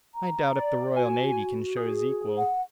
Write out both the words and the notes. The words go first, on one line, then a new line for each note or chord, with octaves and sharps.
I doubt if the Royal Navy can show his equal.
A#5
D5
F#4 G#5
G#4
F#5